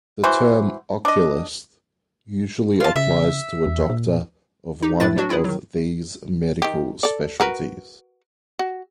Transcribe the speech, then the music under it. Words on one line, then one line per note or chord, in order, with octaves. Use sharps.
The term "oculist" usually applies to a doctor of one of these medical specialties.
E3 F#4 C5
D4 D#5
F4 A5
C#3 E5
E2
A#2
D#4 G4
A2 A3 D4 E4 B4 A6
F#3 D4 F#4
C4 E4 F4 G#4 B4
D#3 F#3
D#3 G4
A4 D5
F#4 A#4 B4
F#4